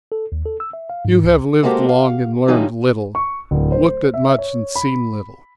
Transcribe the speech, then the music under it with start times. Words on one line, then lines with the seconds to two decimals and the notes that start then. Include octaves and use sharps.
You have lived long and learned little, looked at much and seen little.
0.12 A4
0.32 D#2
0.46 A4
0.60 E6
0.73 E5
0.90 F5
1.05 G#2
1.23 C#2
1.63 G#3 A#3 F#4 G4 A4 C5
1.89 F5
2.48 D3 E3 F#3 G3 D#4 F4
3.15 C#6
3.51 D1
3.72 C5
4.14 E5
4.38 C#5
4.76 B5